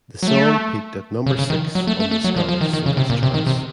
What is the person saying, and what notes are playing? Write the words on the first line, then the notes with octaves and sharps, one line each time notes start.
The song peaked at number six on the Scottish Singles Charts.
F#3
A3
C#3
C#3
D#3
F#3
A3
A3
A3
F#3
F3
F3
D#3
D#3
C#3
C3
A#2
C3
D#3
C3